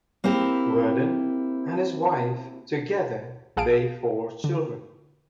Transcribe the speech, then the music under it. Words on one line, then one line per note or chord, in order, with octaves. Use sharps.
Worden and his wife together they four children.
A#3 C4 E4 G4
A#1 G#4 F5 A5 D7
D3